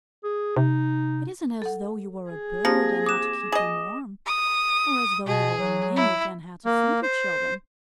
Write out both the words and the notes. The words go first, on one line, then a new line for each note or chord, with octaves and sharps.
It isn't as though you were a bird and had to keep them warm, or as though you were a Mink and had to feed your children.
G#4
C3 D#4
A4 F#5
G#4
F3 A#3 C4 G4 A#6
D6 D#6 F#6 E7
G#4 D#5
D#6
B2 G#4
F#3
E4
A#3
C5